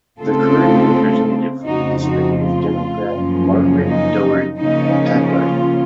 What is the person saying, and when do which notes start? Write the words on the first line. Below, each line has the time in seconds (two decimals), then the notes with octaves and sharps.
The current representative for the district is Democrat Margaret Doherty of Tigard.
0.20 C#3 A3 C4 F4 A4
1.66 F2 C#3 F3 A3 C4 D#4 F#4
2.03 D#4 F#4
2.40 F4
3.12 F#2 C#3 F3 A#3 C#4
3.85 D#4
4.58 C#3 F3 A#3 C#4 D#4
5.31 F4